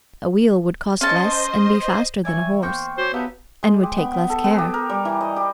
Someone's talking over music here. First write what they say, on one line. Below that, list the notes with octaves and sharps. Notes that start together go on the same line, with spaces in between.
A wheel would cost less and be faster than a horse, and would take less care.
C#4 C5 D#5 A5 C6
E3 D5 E5 G#5 C#6
G5
A#3 B3 C5 G5 C#6
C#4 F#4 C5 C#5 D6
B3 D#4 G4 A4 E5 F5 A#5
G#3
G4
B3
B3
A4
B3
G4
A#4
G3
E3
D#5
G4